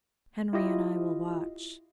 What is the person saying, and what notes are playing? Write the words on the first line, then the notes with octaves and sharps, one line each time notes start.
Henri and I will watch.
E4 F4 G4 D#5